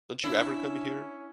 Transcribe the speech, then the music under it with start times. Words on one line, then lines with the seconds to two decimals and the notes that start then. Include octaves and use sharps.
Don't you ever come here?
0.24 C#4 D4 E4